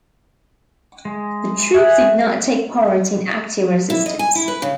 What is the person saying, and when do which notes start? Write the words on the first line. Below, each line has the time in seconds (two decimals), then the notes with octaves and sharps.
The troops did not take part in active resistance.
1.05 G#3
1.74 G#4 E5 F#6
3.90 E4
4.06 D#5
4.19 G#5
4.35 E4
4.48 B4
4.62 C#3